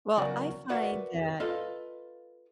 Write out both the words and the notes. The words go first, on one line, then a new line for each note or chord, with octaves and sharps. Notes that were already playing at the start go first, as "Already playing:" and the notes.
Well, I find that
E2 C#3 F#3 F#4 A#4 D5
F#4 A#4 B4 D5 E5 F#5
F4 A4 B4 D#5 F5